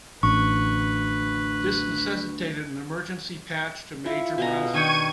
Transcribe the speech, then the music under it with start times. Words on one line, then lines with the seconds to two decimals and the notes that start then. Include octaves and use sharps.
This necessitated an emergency patch to major browsers.
0.23 A1 D2 B4 C#6
4.06 E4 F4
4.38 B2 G#5 A#5
4.74 D#3 D4 G5 C#6 G#6 D#7